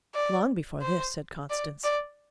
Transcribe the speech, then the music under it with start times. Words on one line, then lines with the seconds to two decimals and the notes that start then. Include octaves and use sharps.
"Long before this," said Constance.
0.14 D5
0.82 C5
1.50 D5
1.84 D5